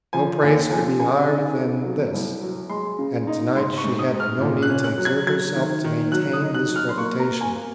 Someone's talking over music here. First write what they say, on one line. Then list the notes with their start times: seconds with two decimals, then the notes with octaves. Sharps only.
No praise could be higher than this, and to-night she had no need to exert herself to maintain this reputation.
0.13 F3 G#5
0.42 D#2 G#5
0.71 F3 G#5
0.99 C#3 G#5
1.28 D#4
1.56 C#3
1.85 F#3
2.13 C2
2.42 F#3
2.70 G#3 C6
2.99 C#3
3.27 D#4
3.56 G#2 C6
3.78 C#6
3.84 G#2
3.99 D#6
4.12 G#2
4.20 F6
4.41 A#2
4.62 F#6
4.70 C#4
4.84 F#6
4.98 F#3
5.05 G#6
5.26 F#3 G#6
5.56 D#3
5.84 D#3
6.12 F#3 F#6
6.33 D#6
6.41 D#4
6.54 F#6
6.69 F#3
6.76 F6
6.89 C6
6.97 A#3 C#6
7.20 A#5
7.27 A#3
7.41 G#5
7.55 A#3